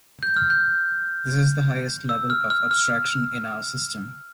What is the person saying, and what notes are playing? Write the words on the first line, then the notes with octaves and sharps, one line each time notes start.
This is the highest level of abstraction in our system.
G6
F6
G6
E6
F6
F6
F6